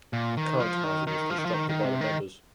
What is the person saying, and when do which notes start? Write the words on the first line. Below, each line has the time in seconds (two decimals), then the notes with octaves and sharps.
The current housing was constructed by the members.
0.13 A#2
0.37 D#3
0.60 F3
0.84 D#3
1.07 D#3
1.30 F3
1.38 D#3
1.46 F3
1.54 D#3
1.69 D#3
1.84 C3
2.01 D#3